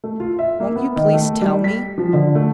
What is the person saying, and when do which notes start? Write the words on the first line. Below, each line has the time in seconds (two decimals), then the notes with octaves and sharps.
"Won't you please tell me?"
0.04 A3
0.20 F4
0.39 E5
0.60 A#3
0.76 B3
0.96 D#3
1.13 A3
1.41 G3
1.64 B6
1.98 F3
2.13 D3
2.35 A3